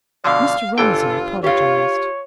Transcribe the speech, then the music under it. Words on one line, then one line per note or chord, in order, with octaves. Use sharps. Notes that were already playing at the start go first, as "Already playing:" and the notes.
Mr. Romsey apologized.
B2 D3 F3 D5 F5
G1 E3 F4 A4 G5
F4 G4 C#5 F5